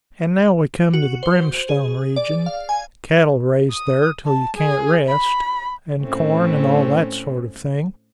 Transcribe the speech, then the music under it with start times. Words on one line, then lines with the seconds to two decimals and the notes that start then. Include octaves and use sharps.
And now we come to the Brimstone region--cattle raised there till you can't rest--and corn, and all that sort of thing.
0.94 F#4
1.23 C5
1.69 G#4
2.16 D5
2.46 F5
2.69 G#5
3.71 D#6
4.26 A5
4.57 G#4
5.08 B5
6.00 A2 A3 C4 C#4